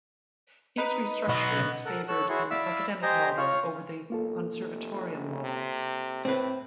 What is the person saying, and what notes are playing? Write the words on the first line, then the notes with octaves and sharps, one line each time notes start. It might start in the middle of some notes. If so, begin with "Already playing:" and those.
These restructurings favoured an 'Academic Model' over the 'Conservatorium Model'.
D#4 B4
B1 B3 F#4 D#5
A4 A#4 F#5
A4 C#5 E6 F#6
E4 F#4 G#4 C#5 C6
E4 D5 E5 F5 E6
G4 C5 D#5 G#5 A#5 C6
F4 C#5 F6
B1 A#3 F4 A4
F1
C3
A2 C4 B4